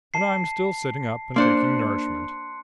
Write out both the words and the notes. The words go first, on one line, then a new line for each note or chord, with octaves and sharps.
And I'm still sitting up and taking nourishment.
A5 C7
A#3 D4 C5 C6 F#6 C#7